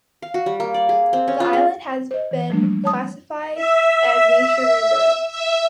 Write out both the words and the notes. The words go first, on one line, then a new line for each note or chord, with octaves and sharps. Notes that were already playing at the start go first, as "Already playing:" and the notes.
The islands have been classified as nature reserves.
F5
F#4
G3
A#3
D5
G#4
C4
C#4
F4
G#4
C5 D#5
E3
F3 G3 A3 A#3 D4
C#5 A5 D#6
E5
E5